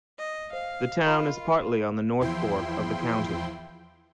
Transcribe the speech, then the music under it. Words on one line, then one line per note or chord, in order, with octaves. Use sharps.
The town is partly on the North Fork of the county.
D#5
C5 F5
F4 A#4 D#5 B5
E2 F3 E4 G5 C6